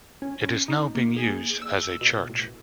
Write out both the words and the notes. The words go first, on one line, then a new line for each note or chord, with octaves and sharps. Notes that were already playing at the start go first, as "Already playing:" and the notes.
It is now being used as a church.
C#4
D#4
A#3
G#4
E6
B2
A2